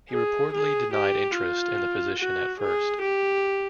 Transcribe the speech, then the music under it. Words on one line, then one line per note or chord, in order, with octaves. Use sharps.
He reportedly denied interest in the position at first.
G#4
G#4
G4
F4
F#4
G#4
G4